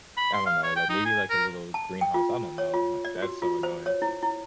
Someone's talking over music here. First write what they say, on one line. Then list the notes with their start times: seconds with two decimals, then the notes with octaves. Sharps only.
I don't know, like, maybe, like, a little greenhouse. I don't know. Like, that's so annoying.
0.17 B5
0.33 C6
0.46 F5
0.63 C#5
0.76 G5
0.89 D#4
1.05 G#5
1.30 A#4
1.74 A5
2.01 G5
2.14 F4
2.58 C#5
2.74 F4
3.05 D5
3.22 F#4
3.42 F4
3.63 C5
3.86 C#5
4.02 E4
4.23 E4